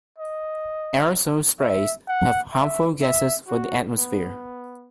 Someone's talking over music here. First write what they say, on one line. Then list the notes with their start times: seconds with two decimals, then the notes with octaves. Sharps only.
Aerosol sprays have harmful gases for the atmosphere.
0.18 D#5
1.60 E5
2.08 F#5
2.54 E5
3.02 E5
3.48 F#4
3.95 B3